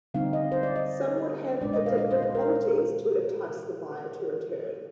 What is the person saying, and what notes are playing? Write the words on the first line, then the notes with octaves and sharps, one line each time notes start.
Some would have addictive qualities to entice the buyer to return.
D3 G3 C4 D#4 F5
D#5
C5
D5
D#5
A#2 G#3 D4 D5
D#5
F5
D#5
C5
C5
A#4